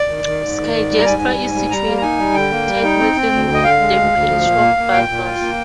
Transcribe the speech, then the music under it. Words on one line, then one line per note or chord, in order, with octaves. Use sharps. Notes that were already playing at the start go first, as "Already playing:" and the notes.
Skigersta is situated within the parish of Barvas.
Already playing: D5
D#3
D#3
G#2
D#3
G#2
G3
A#5
G#2 G#5
G3
G#2
G3
G3 A#5
A#3
A#5
D#4 G#5
G3
D3 G5
A#3
G3
D#4
C4
C4
D2
D3
D#5
D3 F5
G#3
D2
D2
F3
A#2
A#3
A#3
A#2 G5
A#2
F4
A#3